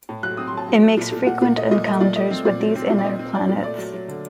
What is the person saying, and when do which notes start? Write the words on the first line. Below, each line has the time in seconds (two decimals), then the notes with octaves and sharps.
It makes frequent encounters with these inner planets.
0.09 A2
0.23 F#3 F#6
0.37 C4 D#6
0.47 C6
0.53 F#3 A5
0.68 F#3
0.82 A3
0.97 A#2
1.12 A#2
1.27 A#2 F#5
1.42 A#2
1.57 A3 D#5
1.71 A#2 D#5
1.86 A3 D#5
2.00 A#2 D5
2.16 A3 D#5
2.30 C4
2.45 A#2 D5
2.60 F#3
2.75 C4
2.90 A#2
2.98 D5
3.04 C4 D#5
3.19 C4
3.34 F#3 D5
3.49 A#2
3.63 A3 D5
3.78 F#3
3.93 F#3
4.08 D3